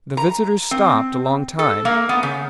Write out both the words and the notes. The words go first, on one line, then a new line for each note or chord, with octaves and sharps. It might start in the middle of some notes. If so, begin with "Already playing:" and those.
The visitors stopped a long time.
A#5
C4
A4
A#3
B3
C#3